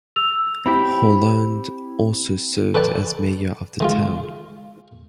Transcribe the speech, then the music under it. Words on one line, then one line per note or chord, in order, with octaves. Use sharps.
Hollande also served as mayor of the town.
E6 F7
C4 E4 G4 B5
A4 B4 D5 G5 A5 A#5
D#3 G#3 F4